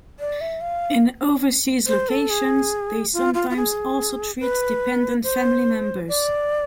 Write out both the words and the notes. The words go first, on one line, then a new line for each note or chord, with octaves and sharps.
In overseas locations, they sometimes also treat dependent family members.
D5
E5
F5
C5
A4
G#4
F4
F4
F4
G#4
B4
C5
D5